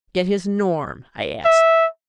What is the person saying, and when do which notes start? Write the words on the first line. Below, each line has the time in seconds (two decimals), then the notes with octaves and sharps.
"Get his Norm?" I asked.
1.45 E5